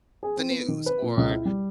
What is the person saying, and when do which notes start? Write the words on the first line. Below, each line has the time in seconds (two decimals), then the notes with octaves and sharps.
the news" or,
0.23 G#4
0.37 C4
0.49 B3
0.68 D#3
0.86 B4
1.02 A#2
1.17 C#2
1.31 E4
1.45 G3